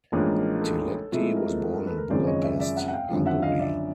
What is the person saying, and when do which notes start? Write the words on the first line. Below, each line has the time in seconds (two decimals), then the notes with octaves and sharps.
Telegdi was born in Budapest, Hungary.
0.12 A1 G#2 F3 A#3 D4 A#4
0.38 A#4
0.62 A4
1.12 G#2 F3 A3 C4 E4
1.36 A#4
1.60 A4
1.73 A#4
1.86 A4 B4
1.98 A#4
2.10 G#1 F#2 C#3 F3 G#3 C5 D5
2.26 C#5 D#5
2.43 D5 E5
2.60 D5 E5
2.76 E5 F#5
2.88 F#5
2.93 F5 G5
3.09 G#1 F#2 D3 F3
3.25 E5 F#5
3.42 D#5 F5
3.60 D5 E5